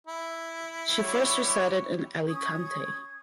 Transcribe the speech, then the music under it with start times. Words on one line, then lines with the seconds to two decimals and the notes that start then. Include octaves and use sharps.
She first resided in Alicante.
0.07 E4
1.02 G3 F#4 C#5
2.28 C#4 C#6 D#6 G#6